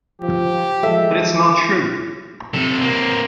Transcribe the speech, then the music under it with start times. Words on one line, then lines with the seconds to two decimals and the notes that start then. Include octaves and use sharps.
But it's not true.
0.22 F3 G4
0.83 F3 G#3 A4 E5
2.53 C3 A4
2.81 A#3 C4